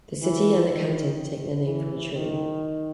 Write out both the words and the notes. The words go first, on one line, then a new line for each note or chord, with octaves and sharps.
The city and the canton take their name from a tree.
E3
D#3
E3
D#3